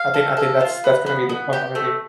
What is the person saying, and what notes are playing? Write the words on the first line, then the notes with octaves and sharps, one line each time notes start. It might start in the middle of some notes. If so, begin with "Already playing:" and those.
I think I think that's that's gonna be the tough one with you.
Already playing: F5
A4
A4
F4
B3
B3
B3
G4
A3